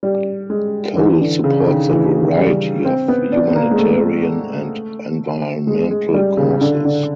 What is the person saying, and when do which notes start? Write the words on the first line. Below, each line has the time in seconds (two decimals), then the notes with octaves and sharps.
Cole supports a variety of humanitarian and environmental causes.
0.03 G3
0.50 G#3
0.97 E3
1.20 D3
1.44 C#3
1.67 D#3
1.90 E3
2.37 G3
2.85 C4
3.08 B3
3.32 D4
3.50 B3
3.55 A#3
3.71 G#3
3.78 A3
5.67 G#3
5.90 G#3
6.14 G3
6.37 C#3
6.61 D3
6.85 D3